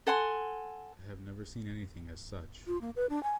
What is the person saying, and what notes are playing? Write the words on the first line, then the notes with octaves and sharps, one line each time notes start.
I have never seen anything as such.
A4 F#5 G#5 C6
F4
A#3
B4
D4
G#5